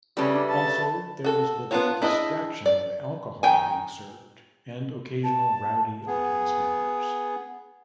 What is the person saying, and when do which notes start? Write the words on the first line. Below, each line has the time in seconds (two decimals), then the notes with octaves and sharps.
Also, there was the distraction of alcohol being served and occasional rowdy audience members.
0.17 C#3 G3 C#4 A4 B4 E5
0.33 D4
0.48 A5
1.24 F#4 A4
1.71 B3 D4 F4 F#4 C#5
2.02 D4 E4 G#4 D#5
2.66 D5
3.43 D#3 G5 G#5
5.24 A5
6.07 B3 G#4